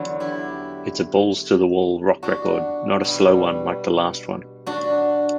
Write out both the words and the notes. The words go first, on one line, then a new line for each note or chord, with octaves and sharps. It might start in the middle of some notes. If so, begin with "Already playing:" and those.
It's a balls-to-the-wall rock record, not a slow one like the last one.
Already playing: E2 D3 F#3
E4 G4
D4 F#4
B2 G3
D4 F#4